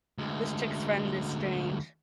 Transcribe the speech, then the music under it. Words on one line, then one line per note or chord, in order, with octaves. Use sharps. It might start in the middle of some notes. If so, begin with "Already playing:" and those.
this chick's friend is strange."
D2 G#3